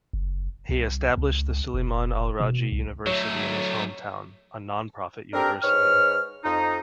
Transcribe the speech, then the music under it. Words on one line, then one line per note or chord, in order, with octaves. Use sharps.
He established the Sulaiman Al Rajhi University in his hometown, a non profit university.
F#1
C2
C#2
F1
B2
C2
F#3 A3 C#5
C4 D4 G4 A4 A#4
G#2 B4 C#5 F6
F2 D#4